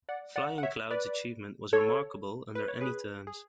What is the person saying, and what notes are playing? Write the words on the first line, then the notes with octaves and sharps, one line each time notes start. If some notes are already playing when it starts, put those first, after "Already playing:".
"Flying Cloud"'s achievement was remarkable under any terms.
D5 F#5
D5 F#5
F#5
C#5 E5
B4 D5
A4 C#5
B4
C#5
G#4 B4
G#4